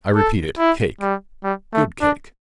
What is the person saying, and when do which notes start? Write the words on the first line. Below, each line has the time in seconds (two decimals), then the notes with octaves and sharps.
I repeat it, cake--good cake.
0.15 A4
0.58 E4
1.01 G3
1.44 G3
1.74 A3
2.01 D4